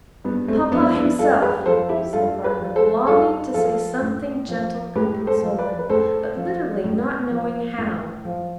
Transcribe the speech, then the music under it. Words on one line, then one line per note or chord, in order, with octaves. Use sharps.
'Papa himself,' said Margaret, longing to say something gentle and consoling, but literally not knowing how.
G2 B3
A3 C4
F3 B3 D4
B3 D4
G2 F4 A4
G4 B4
F3 A4 C5
E4 G4
G2 F4 A4
G4 B4
F3
A4 C5
G2 F4 A4
F3 F4 A4
A2
F3
A2 G4 B4
A4 C5
F3
B4 D5
B4
A2 A4 C5
F3
A2
F3
A2
F3